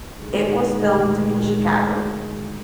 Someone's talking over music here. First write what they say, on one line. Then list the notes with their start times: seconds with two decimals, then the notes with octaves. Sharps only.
It was filmed in Chicago.
0.15 D2 A#2 D#3 G#3